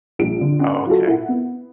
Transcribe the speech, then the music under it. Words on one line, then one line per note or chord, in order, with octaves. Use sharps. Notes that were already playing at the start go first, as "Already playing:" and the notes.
Oh, okay.
A#1 G3 D7
D3
C#4 F#5
F#3 F4 F#4 A4
E4 A#4 F#5
B3